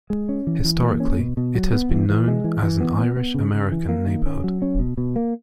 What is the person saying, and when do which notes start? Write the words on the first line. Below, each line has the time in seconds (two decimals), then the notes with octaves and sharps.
Historically, it has been known as an Irish American neighborhood.
0.10 G#3
0.29 C#4
0.47 E3
0.64 E3
0.83 A#3
1.00 C#4
1.19 B2
1.37 B2
1.55 F#3
1.73 B3
1.90 E3
2.09 E3
2.27 G#3
2.44 E3
2.63 E3
2.80 B3
2.98 B3
3.17 B3
3.34 C#3
3.53 C#3
3.72 E3
3.89 A#3
4.07 D#3
4.26 C#4
4.44 F#3
4.62 C#4
4.79 B2
4.98 B2
5.16 A#3